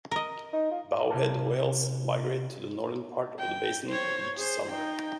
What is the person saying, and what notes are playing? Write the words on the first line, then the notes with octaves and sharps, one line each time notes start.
Bowhead whales migrate to the northern part of the basin each summer.
A#4 D#5
D#4
F4
C3 E4 G4 A#4 A5
G5
C5 C#5
G#4 C5
D#4 G5